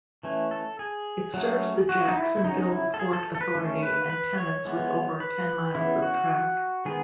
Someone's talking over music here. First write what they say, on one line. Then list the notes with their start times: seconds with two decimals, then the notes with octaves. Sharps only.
It serves the Jacksonville Port Authority and tenants with over ten miles of track.
0.23 E3 A3 C#4
0.51 A4
0.79 G#4
1.34 F#3 A3 C#4
1.89 F#4
2.08 D#4
2.17 E4
2.37 E4
2.44 C#3 F#3 C#4 D#4
2.58 D#4
2.72 E4
2.94 A4
3.00 G#4
3.13 A4
3.35 A4
3.41 B4
3.55 D#3 A3 C#4
3.83 B4
4.10 B4
4.38 C#5
4.65 E3 G#3 B3
5.20 B4
5.75 C#3 E3 B3 E4
6.02 F#4
6.85 D#3 G#3 B3 G#4